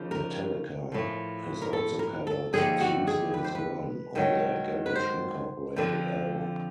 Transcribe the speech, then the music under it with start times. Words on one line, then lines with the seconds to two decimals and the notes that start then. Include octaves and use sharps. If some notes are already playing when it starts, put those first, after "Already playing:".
Metallica has also covered "Tuesday's Gone" on their "Garage Incorporated" album.
Already playing: D#2 C#3 F3
0.11 A#4
0.92 A2 F3
1.62 A#4
1.73 A4
1.99 A#4
2.27 A4
2.53 D#2 D3 F3 G#4
2.80 F#4
3.07 G#4
3.34 B4
3.44 C5
3.55 B4
4.15 G#2 D#3 F#3
4.86 B4
4.95 C5
5.76 F2 D3 F3